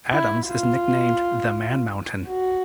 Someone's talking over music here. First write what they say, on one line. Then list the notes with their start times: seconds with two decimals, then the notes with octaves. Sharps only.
Adams is nicknamed "The Man Mountain".
0.11 E4
0.48 F4
2.28 F#4